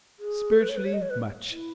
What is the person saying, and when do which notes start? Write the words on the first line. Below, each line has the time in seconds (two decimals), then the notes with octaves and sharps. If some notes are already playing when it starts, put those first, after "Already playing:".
Spiritually much.
0.19 G#4
0.52 A4
0.61 B4
0.69 C#5
0.77 B4
0.85 C#5
0.93 D#5
1.02 C#5
1.10 B4
1.51 E4